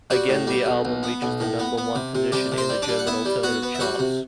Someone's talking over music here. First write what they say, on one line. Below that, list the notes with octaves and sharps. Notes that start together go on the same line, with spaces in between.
Again the album reaches the number one position in the German Alternative Charts.
G3 F#4
A2
G3
B1
B1
B3
B1
A2
B3
B3
C3
C3
C3 G3 G4
C3
C4 C5
G3
D4 D5
G3
F#5
B3 E4 E5
G3
B3 F#4 F#5
B3
E5
G3 F#4 F#5
C3